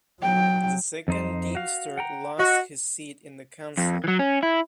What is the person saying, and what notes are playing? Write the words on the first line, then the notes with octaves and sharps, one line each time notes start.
The Second Deemster lost his seat in the Council.
F#3 G5
F2 D#4 C5
F#4 F5
F#5 G5 A#5
F#4 D#5
F2
E3 F#3
C#4
E4